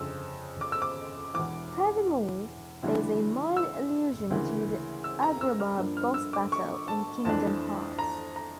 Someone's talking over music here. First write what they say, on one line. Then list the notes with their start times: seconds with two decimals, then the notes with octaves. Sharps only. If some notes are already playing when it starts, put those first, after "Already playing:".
Furthermore, there is a mild allusion to the Agrabah boss battle in "Kingdom Hearts".
Already playing: G1 F2 C#3 E6
0.61 D6
0.72 E6
0.82 D6
1.34 E1 E2 E3 D6
2.83 D2 C#3 E3 G3 D4
3.57 E6
4.30 D2 C#3 E3 A#3
5.04 E6
5.23 A#5
5.41 E6
5.60 F6
5.77 G2 F3 A#3 D4
5.97 F6
6.14 E6
6.33 D6
6.52 C#6
6.88 A5
7.25 F2 E3 A3 D4 A5
7.99 A#5
8.36 A#5